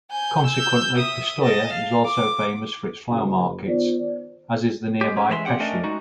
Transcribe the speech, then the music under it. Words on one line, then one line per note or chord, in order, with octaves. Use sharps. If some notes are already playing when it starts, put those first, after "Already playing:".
Consequently, Pistoia is also famous for its flower markets, as is the nearby Pescia.
G#5 G6
E6 G6
E5 D#6
D#5 A5
F5
D6
F#1
D#3 B3 F4 C5 D5
G#3 G4
C#4
E3 G#3 E5 A#5 C6
C4 G4 F#5 G5
A3 C#4 D4 A#4 D5 D#5
G#3 D#4 F#4